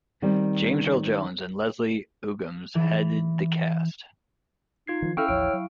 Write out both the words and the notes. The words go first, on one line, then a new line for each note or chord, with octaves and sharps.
James Earl Jones and Leslie Uggams headed the cast.
D#3 G3 C4
E3
D#4 F4 G#6 C7
D#3 F3
C#4 E4 A4 F5 G5 C#6 E6 F6
A1 D#2 F3 C#5 D7
F#3